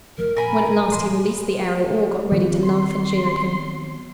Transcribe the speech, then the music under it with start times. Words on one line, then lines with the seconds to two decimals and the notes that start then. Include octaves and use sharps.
When at last he released the arrow all got ready to laugh and jeer at him.
0.18 F#1 F3 A3 A#4
0.37 A#2 A#4 G#5 B5
0.92 A2 E3 G3 C6
2.32 D#3 F3 B3 C4
2.63 C6